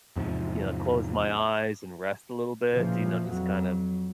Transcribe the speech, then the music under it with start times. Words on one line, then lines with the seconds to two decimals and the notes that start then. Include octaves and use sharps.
you know, close my eyes and rest a little bit, you know, just kind of
0.16 E2 G#2 C3 F3
2.71 A#2 C#3 E3 F3
3.29 F2 F#3